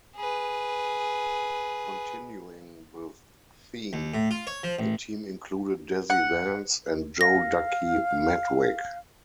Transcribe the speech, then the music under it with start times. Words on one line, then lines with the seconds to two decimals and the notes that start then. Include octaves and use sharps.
Continuing the theme, the team included Dazzy Vance and Joe "Ducky" Medwick.
0.16 G#4 B4
3.93 D#2
4.14 A2
4.31 F4
4.47 C#5
4.63 F3
4.79 A1
6.10 F#5
7.21 F5 A#6